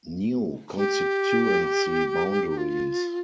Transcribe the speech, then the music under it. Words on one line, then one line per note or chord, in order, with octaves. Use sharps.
New constituency boundaries.
G4
F4